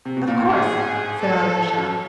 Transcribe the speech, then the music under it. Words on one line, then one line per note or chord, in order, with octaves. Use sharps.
"Of course," said Alyosha.
C3
B2
A#2
A2
G#2 G#4
A4
F#2